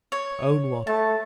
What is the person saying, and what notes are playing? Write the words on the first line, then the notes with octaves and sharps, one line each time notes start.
Own what?
C#5
A3 A5